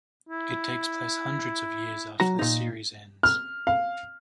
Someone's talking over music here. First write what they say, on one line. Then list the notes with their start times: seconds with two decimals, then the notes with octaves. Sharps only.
It takes place hundreds of years after the series ends.
0.29 E4
2.20 F#3 F#4 A#5
2.39 A#2 D#4
3.23 F6
3.67 F5